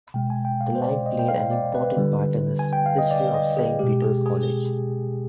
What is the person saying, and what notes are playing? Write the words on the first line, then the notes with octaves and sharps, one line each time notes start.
The line played an important part in the history of Saint Peter's College.
B2 G#3 G5
G#5
G5
F5
C5
D5
D#5
G5
F5
D5
B4
D3 G3
G#5
G5
F5
D#5
D5
D#5
G#4
B2 G#3 G4
G#4
G#4